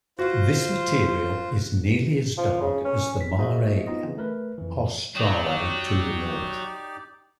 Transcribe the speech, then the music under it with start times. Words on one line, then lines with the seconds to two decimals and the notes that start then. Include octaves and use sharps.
This material is nearly as dark as the Mare Australe to the north.
0.19 F4 F#4 C5
2.38 F3
2.61 C#3
2.85 C#4
3.21 B6
3.39 A#3 F#4 G#4 C5 D#5 E5
3.87 B3 C4 D#4 F4 D#5
4.04 C#3 E3
4.17 A3 A#4 B4
4.58 F2 E3
5.15 F#3 D#4 G4 D5